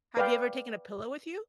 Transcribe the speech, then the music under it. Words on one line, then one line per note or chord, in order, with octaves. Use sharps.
Have you ever taken a pillow with you?
B4 D5 F5 G5